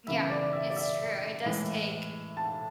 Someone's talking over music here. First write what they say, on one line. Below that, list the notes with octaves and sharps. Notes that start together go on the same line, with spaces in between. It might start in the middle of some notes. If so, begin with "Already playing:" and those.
Yeah, it's true. It does take
C#3 E3 B3 E5
D5
E5
D5
E5
A2 E3 G#3
A5